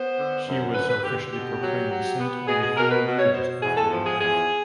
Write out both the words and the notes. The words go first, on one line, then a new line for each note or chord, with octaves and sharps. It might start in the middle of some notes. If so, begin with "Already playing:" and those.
She was officially proclaimed a saint only four years after her death.
Already playing: B3 C5
D3
F#2
D3 B4
B4
D3 G4
B2 G4
F#3
F#3
B3
B2 G#4
G#4
B2 A#4
B4
B2
C#5
B2 C5
E2 G#4
A4
F3
G#4
E2 G#4